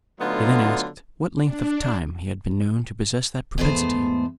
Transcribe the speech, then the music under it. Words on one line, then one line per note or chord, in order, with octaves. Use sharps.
He then asked what length of time he had been known to possess that propensity.
D3 F#3 A3 B3 D#4 F4
D4
E2 G#2 A3 B3 C5